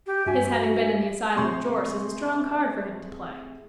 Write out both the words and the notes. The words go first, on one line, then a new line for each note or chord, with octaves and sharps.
His having been in the asylum of Jorce is a strong card for him to play.
G4
G2 F#4 E5 G#5
A2 C3 G#4 C6 C#6 G6